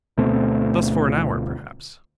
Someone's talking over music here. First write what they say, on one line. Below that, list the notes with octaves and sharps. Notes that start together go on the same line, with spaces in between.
Thus for an hour, perhaps.
D2 B2 A3 C4